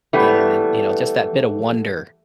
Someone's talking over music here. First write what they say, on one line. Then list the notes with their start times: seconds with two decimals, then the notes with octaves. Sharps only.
and, you know, just that bit of wonder
0.13 E3 G3 A3 B3